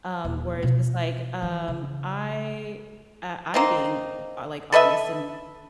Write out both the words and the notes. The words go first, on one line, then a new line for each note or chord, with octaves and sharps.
Um, where it's just like, um I, uh, I'm being, uh, like honest and
D#1
B2 F4
E3
C#3
A#3 C4 D#4
A4 B4 D#5 E5